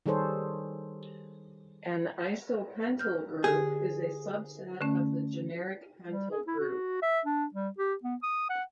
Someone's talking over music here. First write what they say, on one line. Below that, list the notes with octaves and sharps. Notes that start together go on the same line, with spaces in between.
An isopentyl group is a subset of the generic pentyl group.
D#3 G3 G#4 A4 C5 C#5
F6 G6
D3 G4 G#4
D3 A3 C#4
G3
G#4
E4
F#4
E5
D4
G3
G4
B3
D#6
F#5